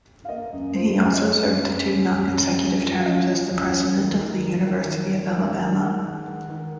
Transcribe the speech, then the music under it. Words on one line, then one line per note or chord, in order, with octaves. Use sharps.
He also served two nonconsecutive terms as the president of the University of Alabama.
F5
A#3 D#5
F#2
F3 C5
F#2
D#5
C#4 C#5
F#2
F#2
F#2
F#2
C#4
F#2
F3
F5
C#4 D#5
F3
F#2
F#2
D#3
D#3
D#3
D#3
D#3
D#3
G#3
D#3
G#3 F#5
G#3
D#3
D#3